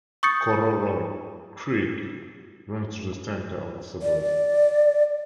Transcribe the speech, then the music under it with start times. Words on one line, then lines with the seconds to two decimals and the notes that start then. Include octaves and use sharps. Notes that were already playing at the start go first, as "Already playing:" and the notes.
Kororoit Creek runs through the centre of the suburb.
0.23 C#6 D#6 G6 A6 C#7
4.02 D5